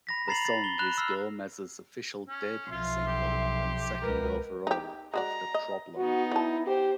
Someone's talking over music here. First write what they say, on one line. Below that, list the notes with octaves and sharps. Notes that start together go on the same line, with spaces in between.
The song is Gomez's official debut single, and second overall, after "Problem".
B5 A#6 B6
A#5 B5 A6 C7 F7 F#7
A6
G7
B5 F#6 E7
E6 F6 C7
C#4
B1 F3 F4 E5 C6
G4
C#2 A#4 B4
D#4 G4
G#3 F#4 D5 A#5
D#5
B3 D#4 F#4
E4 D5 A5
G4 C5